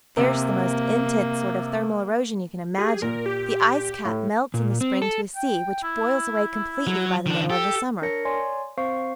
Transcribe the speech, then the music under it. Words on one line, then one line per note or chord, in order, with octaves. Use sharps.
There's the most intense sort of thermal erosion you can imagine--the ice-cap melts in the spring to a sea, which boils away completely by the middle of the summer.
C3 A#3
G4 G#4
A#2 A#4
G4
A2
A#2
C4
A4
G5
E4
F#3
D#3 D4
G4 A4
D4 A#4 C#5 A#6 C#7
C#5 D5 G#5 C6
C4 C5 F5 C#6 C7